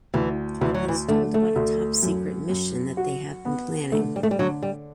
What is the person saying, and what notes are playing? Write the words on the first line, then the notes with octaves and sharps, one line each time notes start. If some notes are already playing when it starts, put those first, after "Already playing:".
He is told about a top secret mission they have been planning.
D2 E3
D2 E3
F#3
E3
D3 A3
A3
D2
F#2
F#2
F#4
B3
D3 A3
G3
A3
G3
D3 F#3
G3